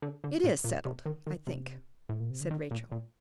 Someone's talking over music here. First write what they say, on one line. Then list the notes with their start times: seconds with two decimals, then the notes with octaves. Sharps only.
"It is settled,--I think," said Rachel.
0.02 D3
0.24 D3
0.44 A2
0.64 A#2
0.85 C3
1.06 D#3
1.27 D#3
1.47 C3
2.09 A2
2.20 A#2
2.30 C3
2.41 D3
2.51 D#3
2.71 A#2
2.92 A#2